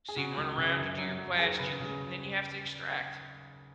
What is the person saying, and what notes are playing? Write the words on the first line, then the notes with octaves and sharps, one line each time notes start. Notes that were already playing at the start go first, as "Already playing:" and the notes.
so you run around, you do your quest, you loot, and then you have to extract,
G#4
C#3 F#4
C#2
C#3
F#2
F#3
F#3
D#2 G#4
C#3 B4
C#3